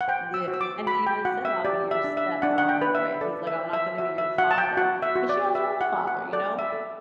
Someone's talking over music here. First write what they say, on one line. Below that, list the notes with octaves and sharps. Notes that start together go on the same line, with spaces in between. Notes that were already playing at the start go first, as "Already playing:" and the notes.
Yeah, and he even said, "I'll be your stepfather," right, he's like, "I'm not gonna be your father," 'cause she has her own father, you know,
F#5
C5 G5
E6
F#4
E6
D6
F#4 B5
G5
F#4 F#5
E5
G4 D5
E5
D4
E5
D4 F#5
F#5
G5
B4
E5
A4 D5
E5
C5
E5
F#4 E5
E5
F#4 F#5
A5
G5
F#4 F#5
E5
F#4
D5
B4 E5
F#5
F#4
F#5
A4 D5
E5
A4